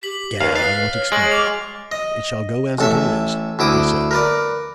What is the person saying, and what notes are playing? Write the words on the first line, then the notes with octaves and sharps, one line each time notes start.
'Gad, I won't explain; it shall go as it is!' he said.
G4 B6 F#7
D#2 B4 F5
F5 F6 A6 C7
C#5
G#3 C#6 D7 F#7
D6 F6 F7
D#5
A1 A4 E5
D2 E4 D6 D#6
A#4 B4 D5